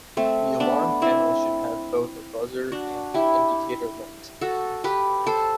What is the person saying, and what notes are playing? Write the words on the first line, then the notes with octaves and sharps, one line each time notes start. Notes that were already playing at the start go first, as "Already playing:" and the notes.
The alarm panel should have both a buzzer and an indicator light.
A3 C4
B3 D4
C4 E4
D4 F#4
E4 G4
F#4 A4
G4 B4
A4 C5